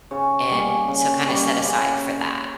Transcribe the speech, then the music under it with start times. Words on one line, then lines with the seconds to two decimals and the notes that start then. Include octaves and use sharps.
and so kinda set aside for that.
0.11 C#3 C#5
0.50 G3 A#3 C#4
0.88 C#3
1.26 G3 A#3 C#4
1.65 C#3